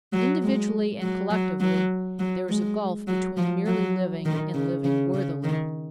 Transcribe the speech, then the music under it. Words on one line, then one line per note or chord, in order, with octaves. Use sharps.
Individually and collectively there is a gulf between merely living and living worthily.
F#3
G#3
F#3
F#3
F#3
F#3
G#3
F#3
F3
F#3
D#3
C#3
C#3
C#3
D#3